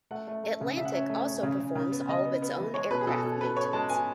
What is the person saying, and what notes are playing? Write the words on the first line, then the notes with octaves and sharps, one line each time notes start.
Atlantic also performs all of its own aircraft maintenance.
A3 F#5
A3
A3
C#3
C#3 E5
F#5
C#4 E5
A3
C#4
C#3
C#3
C#3
B3
C#3 D#5
B3
B3
E3
G#3 C#5
B2 B4
G#4
B2 A4
B2 A4
B3 B4
B3 C#5
G#3 A5
B3 G#5